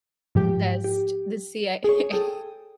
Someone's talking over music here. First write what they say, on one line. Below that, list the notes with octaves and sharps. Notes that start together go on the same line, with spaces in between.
sessed The CIA A
G#2 F3 G4 G5
G4
G#4 C#5
G#4 A4 G5 D#6